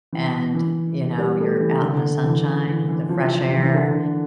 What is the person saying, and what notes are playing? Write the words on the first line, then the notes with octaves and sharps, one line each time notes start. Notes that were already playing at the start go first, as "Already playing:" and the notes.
and, you know, you're out in the sunshine, the fresh air,
E3
E3
G3
A3
E3
D3
E3
E3
E3
F3
E3
E3
D3
D3